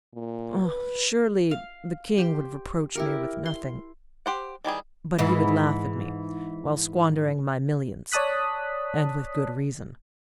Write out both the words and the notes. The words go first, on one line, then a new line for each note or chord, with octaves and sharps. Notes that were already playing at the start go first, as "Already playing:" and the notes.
"Surely the king would reproach me with nothing, but he would laugh at me, while squandering my millions, and with good reason."
A#2
B4
F5
G4 C5
E4 G4 A#4
C6
G4 C5 F#5
D#3 E3 G3 G#4
G#2 E3
C#5 D5 A5 D#6 F#6 B6